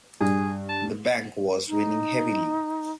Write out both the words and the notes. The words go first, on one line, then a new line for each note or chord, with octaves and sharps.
The bank was winning heavily.
G2 G#4
A5
D#4